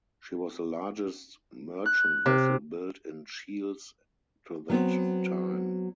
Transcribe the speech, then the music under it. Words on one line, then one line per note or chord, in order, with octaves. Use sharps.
She was the largest merchant vessel built in Shields to that time.
F#6
C3
F#3 B3 C4